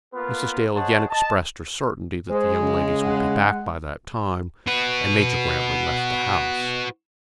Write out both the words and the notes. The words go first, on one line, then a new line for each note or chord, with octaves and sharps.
Mrs. Dale again expressed her certainty that the young ladies would be back by that time, and Major Grantly left the house.
A#3 B3 F4 B4
G#4 C5 C#5 D#5 F#5 A5
D#5 A5
G#3 G#4 C5
C#3
F#5
F#4 B4